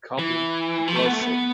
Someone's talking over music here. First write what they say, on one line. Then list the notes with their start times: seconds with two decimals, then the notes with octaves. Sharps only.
The couple divorced.
0.19 E3
0.88 F3
0.95 A3
1.04 B3
1.13 A3
1.21 B3